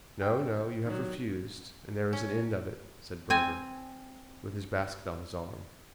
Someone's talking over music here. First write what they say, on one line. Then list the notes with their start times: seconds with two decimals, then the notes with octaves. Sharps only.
"No, no; you have refused, and there is an end of it," said Burger, with his basket on his arm.
0.21 G5
0.86 D#3 F#3
2.13 C#4
3.30 C4 G#5